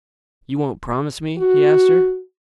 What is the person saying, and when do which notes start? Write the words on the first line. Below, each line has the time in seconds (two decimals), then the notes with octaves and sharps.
"You won't promise me?" he asked her.
1.38 F#4